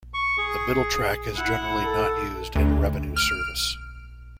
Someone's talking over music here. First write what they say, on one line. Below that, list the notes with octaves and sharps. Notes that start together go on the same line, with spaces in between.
The middle track is generally not used in revenue service.
C#6
G#4
E4 F#5
A4
D2
F6 D7